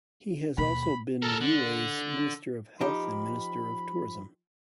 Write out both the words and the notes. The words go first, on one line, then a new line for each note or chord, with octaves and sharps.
He has also been Niue's Minister of Health and Minister of Tourism.
D#2 B2 B5
A4 A#4
D3
F3 D#4 G4 B5